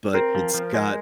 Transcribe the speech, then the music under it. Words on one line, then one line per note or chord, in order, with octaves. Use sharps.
but it's got
C4 A#4
F3
F3
G#3